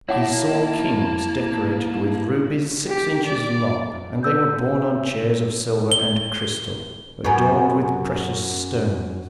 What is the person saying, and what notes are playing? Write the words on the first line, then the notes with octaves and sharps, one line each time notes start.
He saw kings decorated with rubies six inches long; and they were borne on chairs of silver and crystal, adorned with precious stones.
A#3 E4 C#5 F#5 A5 D6
G4
D5
B4 E6 G6
G7
F#2 B3